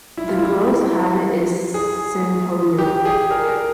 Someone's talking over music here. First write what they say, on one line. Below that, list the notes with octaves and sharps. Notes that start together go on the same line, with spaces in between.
The growth habit is sympodial.
E4
F4
E4
G#4
G4
G#4
A#4
A#4